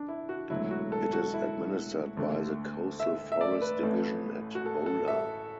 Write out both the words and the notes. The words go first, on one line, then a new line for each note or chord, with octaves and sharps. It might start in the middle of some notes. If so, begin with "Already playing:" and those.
It is administered by the Coastal Forest Division at Bhola.
Already playing: D4
E4
F#4
E1 D2 D3 F#3 E4
F#4
A4
F#4
E4
D2 D3 A3
E5
E5
D5
B4
A1 A2 A3
F#4
A4
A4
E5